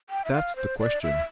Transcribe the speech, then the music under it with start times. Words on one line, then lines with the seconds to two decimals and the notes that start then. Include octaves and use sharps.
That's the question.'
0.10 G5
0.25 E5
0.33 F5
0.56 C5
0.79 D5
1.02 E5